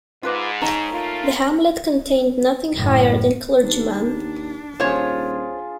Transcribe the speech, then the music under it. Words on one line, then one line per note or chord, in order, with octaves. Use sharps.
The hamlet contained nothing higher than clergyman.
G#2 F4 B4 D6
D#4 C#5 A5
A3 A#3 F4
F#1 A2
D#2 D4
D#1 F4 G#4 C5 C#5